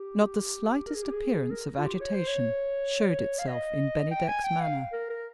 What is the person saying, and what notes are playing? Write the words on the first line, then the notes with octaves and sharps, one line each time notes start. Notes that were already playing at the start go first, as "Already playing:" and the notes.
Not the slightest appearance of agitation showed itself in Bennydeck's manner.
Already playing: G4
A#4
G#4
G4
G#4
A#4
F4
G4
C#5
C5
C#5
F5
D#5
G5
G#5
G5
F5
A#4
A#4